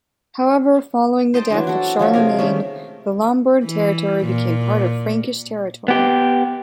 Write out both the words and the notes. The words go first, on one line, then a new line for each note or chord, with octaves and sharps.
However, following the death of Charlemagne, the Lombard territory became part of Frankish territory.
C5 D#5 G5 A5
E3 F#3 D4
F#4 A4
F3 F#3 A4 A#4
C3 G#4 A#4
D#3 G#3 A3 C#4
E3
A#2
B3 G4